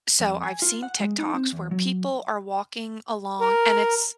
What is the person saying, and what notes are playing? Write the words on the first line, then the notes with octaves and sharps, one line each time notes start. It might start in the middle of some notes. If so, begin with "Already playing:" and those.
So, I've seen TikToks where people are walking along, and it's
F2
G#5
F4
F#5
G#3
D#4
C4
E2
F#3
A#4